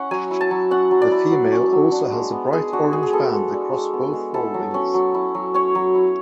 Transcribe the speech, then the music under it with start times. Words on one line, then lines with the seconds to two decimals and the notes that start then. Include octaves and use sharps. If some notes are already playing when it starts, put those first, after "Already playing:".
The female also has a bright orange band across both forewings.
Already playing: C#4 E4 F#5
0.11 F#3 G#5
0.31 E4
0.41 A5
0.51 F#3
0.71 C#4 F#5
0.91 F#3
1.02 D5
1.12 E4
1.31 F#3
1.52 C#4
1.72 F#3
1.92 D4
2.12 G#3
2.32 B3
2.53 G#3 G#4
2.72 D4 F#4
2.93 G#3 G#4
3.03 G#4
3.13 B3 A4
3.33 G#3
3.53 D4
3.73 G#3
3.93 B3
4.13 G#3
4.34 E4 A4
4.54 F#3
4.74 C#4
4.94 F#3
5.14 E4
5.35 F#3
5.54 C#4 C#5
5.75 F#3
5.95 E4